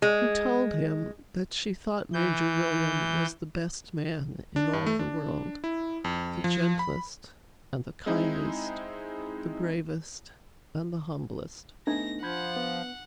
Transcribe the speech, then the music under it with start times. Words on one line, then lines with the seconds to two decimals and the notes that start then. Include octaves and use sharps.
She told him that she thought Major William was the best man in all the world--the gentlest and the kindest, the bravest and the humblest.
0.02 G#3
2.13 E3 G6
4.56 D4
4.73 G2
4.86 A3
4.99 D4
5.64 E4
6.04 F2
6.44 F3
6.79 B5
8.06 G#3 C4 D#4 E4 G#4
11.87 A3 B3 D4 D#4 A#6
12.23 F3 F#5 B5 G6 G#6
12.57 B3